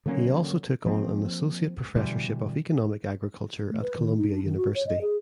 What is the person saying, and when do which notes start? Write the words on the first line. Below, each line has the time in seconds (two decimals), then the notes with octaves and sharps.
He also took on an associate professorship of economic agriculture at Columbia University.
0.06 D3 F#3 A#3 C#4
0.86 F3 A#3 C4
1.96 B2 D3 E3 G3
3.70 A3
3.82 B4
3.97 D#3
4.18 D#4
4.30 D4
4.45 D#3
4.57 F#4
4.75 C#5
4.87 D#5
5.01 G#4